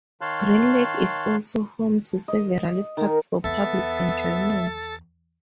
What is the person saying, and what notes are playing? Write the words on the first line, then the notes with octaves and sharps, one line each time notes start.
Green Lake is also home to several parks for public enjoyment.
D#3 C#5 F5 A5 C6 F#6
D#5
D#3
E2 B3 A4 E5 A6